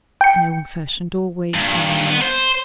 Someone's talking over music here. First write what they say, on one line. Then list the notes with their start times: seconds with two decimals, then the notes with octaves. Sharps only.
"An old-fashioned doorway," I remarked.
0.21 G5 C#7
1.54 G2 A#2
2.09 B3
2.22 C5